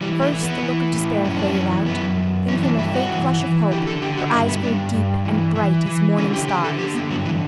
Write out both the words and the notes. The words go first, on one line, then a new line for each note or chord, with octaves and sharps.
First the look of despair faded out; then came a faint flush of hope; her eyes grew deep and bright as morning stars.
E3 G3
A3
E3
B3
E3
A2
F#2 C#4
D4
C#4
E3
F#2 B3
F#2
E3 C#4
D4
G2 E4
F#4
E3
E3
D3 G4
A4
D3 G4
F#4
G2 E4
B3
G2 D4
G2
E3
E3
E3
D3 C#4
G4
D3 G4
A4
D3 G4
B3
G2 F#3
E3